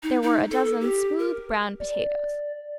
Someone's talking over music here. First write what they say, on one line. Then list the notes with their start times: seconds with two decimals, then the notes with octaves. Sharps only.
There were a dozen smooth, brown potatoes.
0.03 D#4
0.22 D#4
0.50 A4
0.65 A4
0.80 G4
1.19 A#4
1.80 D5